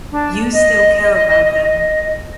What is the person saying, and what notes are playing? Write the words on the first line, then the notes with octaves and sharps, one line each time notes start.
You still care about them.
D4
D#5